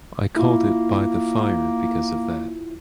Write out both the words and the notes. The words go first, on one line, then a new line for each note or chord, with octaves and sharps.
I called it "By the Fire" because of that.
A#3 E4 F4